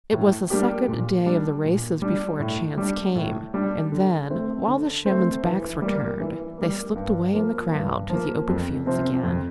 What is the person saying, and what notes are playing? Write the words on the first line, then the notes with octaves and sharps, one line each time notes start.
It was the second day of the races before a chance came, and then, while the showmen's backs were turned, they slipped away in the crowd to the open fields again.
A2
G3 A#3 D4 G4
A#2
G3 D4
A#2
G3 D4
A2
G3 D4
A2
G3 D4
D3
A3 C4
D3
A3 C4
E3
G3 A#3
E3
G3 A#3
G2
F3 A#3
G2
F3 A#3
F2
C3 F3 C4
F2